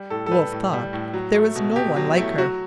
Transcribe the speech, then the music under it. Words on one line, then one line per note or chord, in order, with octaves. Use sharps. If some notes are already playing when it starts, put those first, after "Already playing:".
Wolfe thought there was no one like her.
Already playing: G3
A2 A4
A4
G3 B4
A2
G3
A2
F#3
A3
B2
B2 G4
F#3
A3 E4
F#3 F#4